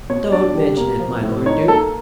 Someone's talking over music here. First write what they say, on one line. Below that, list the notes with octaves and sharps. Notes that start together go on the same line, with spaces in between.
"Don't mention it, my Lord Duke."
B2 C#5
D4 D5
G3
A#3
F3
A2
D#4 C#5
A#3 A4